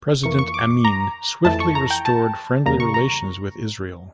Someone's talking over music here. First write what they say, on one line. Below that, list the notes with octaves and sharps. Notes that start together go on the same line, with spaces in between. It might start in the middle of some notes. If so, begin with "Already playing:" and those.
President Amin swiftly restored friendly relations with Israel.
F2 E3 A#3 C#6
C#6
D6
A#5
F2 E3 A3 A5
C#6
A#5
G5
A5
E2 C#3 G3 A#3 A#5
C#6
A#5